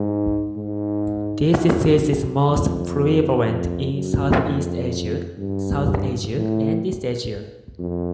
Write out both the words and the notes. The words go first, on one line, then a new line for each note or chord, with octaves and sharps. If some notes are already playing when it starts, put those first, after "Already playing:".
This disease is most prevalent in Southeast Asia, South Asia and East Asia.
Already playing: G#2
G#2
F#2
F2
F2
F#2
F2
G2
A2
F2